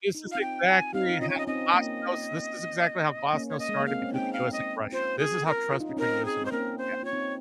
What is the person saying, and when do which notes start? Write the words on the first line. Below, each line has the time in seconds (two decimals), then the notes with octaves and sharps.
This is exactly how Glasnost this is exactly how Glasnost started between the US and Russia. This is how trust between US and Russia began.
0.15 D#4
0.25 F4
0.32 C4 D#4 F5
0.41 G5
0.68 G#5
0.94 C4 D#4 F5
1.10 D#4
1.21 C#4 F4 D#5
1.29 C#5
1.36 C#4 D#5
1.47 C4 D#4 D#5
1.74 A#3 C#4
3.33 A#3 C#4
3.49 C#5
3.59 D#5
3.69 G#3
3.80 A#3
3.86 C4 F5
4.02 C#4
4.12 C4 D#4 G5
4.33 F5
4.53 D#5
4.92 C#4 F4 C5
5.19 G#4
5.46 A#4
5.72 F4
5.80 D#4
5.89 C#4
5.97 C4 D#4 A#4
6.25 G#4
6.41 C4 C5
6.52 A#3 C#4 A#4
6.78 C5
6.92 D#4
7.03 F4 C#5
7.13 C4 D#4